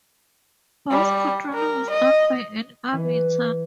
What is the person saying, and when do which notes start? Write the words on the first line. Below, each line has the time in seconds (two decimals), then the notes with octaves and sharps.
Bus controlling is done by an arbiter.
0.91 G3
1.54 A#4
1.90 D#5
2.93 E3